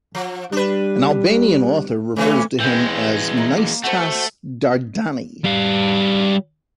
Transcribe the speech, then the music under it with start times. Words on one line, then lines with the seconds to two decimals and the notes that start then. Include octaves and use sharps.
An Albanian author refers to him as "Nicetas Dardani".
0.15 F3
0.52 G3 D4 B4
2.16 C3 E3 A3 C#4
2.60 E3 G#3 B4 F5 G5
3.37 E4 D#5 A#5
3.57 A#3
3.84 A3 F#4 C5
5.44 G3 F5